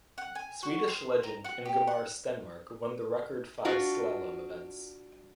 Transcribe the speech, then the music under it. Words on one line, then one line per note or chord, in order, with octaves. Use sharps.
Swedish legend Ingemar Stenmark won the record five slalom events.
F#5
G#5
F#4
C6
A#5
F#5
G4
F#5
D4 F4 F#4